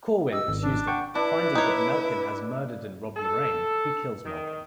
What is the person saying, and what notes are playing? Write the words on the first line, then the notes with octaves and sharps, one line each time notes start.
Corwin pursues them; finding that Melkin has murdered and robbed Lorraine, he kills Melkin.
G4 D#5 E6
G#1
D4
F#5 G5 C#6
D4 E4 B4
D#4 C#5
A4
D#3